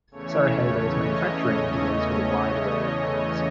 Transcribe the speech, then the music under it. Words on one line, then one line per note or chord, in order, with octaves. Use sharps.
Sarajevo's manufacturing deals with a wide array of products.
E2 C#3 E3 A3 C#4 C#5
D#5